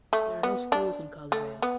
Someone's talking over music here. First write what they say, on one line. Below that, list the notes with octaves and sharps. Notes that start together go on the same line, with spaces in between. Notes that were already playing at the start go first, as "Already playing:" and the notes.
There are no schools in Caldervale.
A3
B3
D4
A3
B3